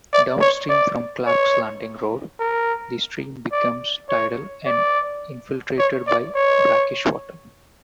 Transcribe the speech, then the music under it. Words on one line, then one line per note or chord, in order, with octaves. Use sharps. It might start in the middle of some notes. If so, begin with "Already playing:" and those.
Downstream from Clark's Landing Road, the stream becomes tidal and infiltrated by brackish water.
D5
C#5
D5
C#5
A#4
D5
C#5
D5
C#5
D5
C#5